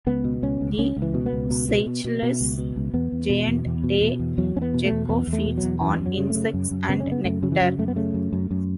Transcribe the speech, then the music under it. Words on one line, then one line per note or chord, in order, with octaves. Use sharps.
The Seychelles giant day gecko feeds on insects and nectar.
C#2 B3
B2
C#2 C#4
C#2
C#2 C#4
C#2
E3
B2
B3
C#2
B2
B2
B2
B2
B2
C#2
B2
C#2
E2 B3
E2
B2
E2
E2
B2
B2
E2
E2 F#3
E2 C#4
B3
B2
A3
E2
E2 B3
E2
A3
B2
F#3
E2
F#2 E3
F#2
F#3
C#3
A3
C#3
F#2
F#2
C#3 B3
C#4
C#3 B3
F#2 A3
C#3 F#3
E3
F#2 F#3
F#2 A3
B3
C#3 A3
F#2
F#2
F#2